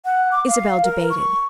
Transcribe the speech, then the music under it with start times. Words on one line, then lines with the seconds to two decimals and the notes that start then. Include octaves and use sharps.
Isabel debated.
0.05 F#5
0.32 D6
0.48 F5
0.83 A#4
1.10 C#6